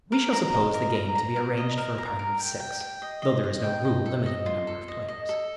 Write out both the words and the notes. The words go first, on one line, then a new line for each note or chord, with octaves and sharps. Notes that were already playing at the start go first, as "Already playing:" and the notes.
We shall suppose the game to be arranged for a party of six,-- though there is no rule limiting the number of players.
A#4
A#5
D#5
A#4
A#5
A#5
A#4
D#5
A#4
A#5
A#4
G5
G5
G5
D#5
D#5
D#5
G5
D#5
A4
D#5
F4
A4
D#5
D#5
A4